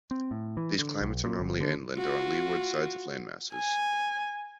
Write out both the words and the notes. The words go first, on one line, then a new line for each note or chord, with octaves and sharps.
These climates are normally inland or on leeward sides of landmasses.
C4
A2
E3
D3
B1
A#2
G1
D3
F4 F#4
G#5